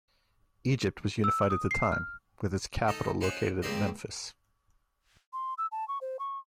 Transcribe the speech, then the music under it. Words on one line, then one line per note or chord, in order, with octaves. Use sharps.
Egypt was unified at the time, with its capital located at Memphis.
E6
D#6
C7
F6
D#4 A4 D#5
C#4 D#4 F4 C5 F#5
C#2 A#3 C4 G4 D5 D#5
C6
E6
A5
C#6
C5
C#6